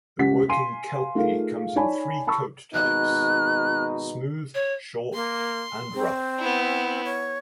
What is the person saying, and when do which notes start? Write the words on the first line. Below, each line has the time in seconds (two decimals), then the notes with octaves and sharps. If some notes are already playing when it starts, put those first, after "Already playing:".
The Working Kelpie comes in three coat types: smooth, short, and rough.
0.19 C#2 C#4 G4 F#5 B6
0.48 F5 G#5 C6 D#7
1.15 A3 D#4 F4 G#4 A#4 F5
1.76 D#4 C#5 D5 G#5 A5 B5
2.27 A5 B5 C#6 E6
2.74 G#1 B2 D#4 F#6
4.55 C#5
5.14 A#3 C6
5.94 C4
6.39 B3 E4
7.04 C#5